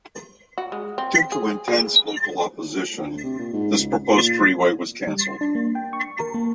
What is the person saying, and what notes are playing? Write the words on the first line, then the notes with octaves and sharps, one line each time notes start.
Due to intense local opposition, this proposed freeway was cancelled.
F#4
G#3
C4
G#4
G#4
D2
C3
A#2
G#2
C#2
A#2
G3
C7
D4
A#3
G5
C#6
A#4
A#3